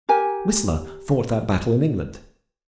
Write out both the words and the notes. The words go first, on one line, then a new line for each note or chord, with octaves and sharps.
Whistler fought that battle in England.
G4 A#4 G#5